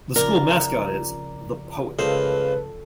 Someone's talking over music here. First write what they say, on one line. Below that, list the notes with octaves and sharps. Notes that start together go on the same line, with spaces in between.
The school mascot is The Poet.
C#3 F3 A#4 D5
C#2 A#3 A4 B4 C5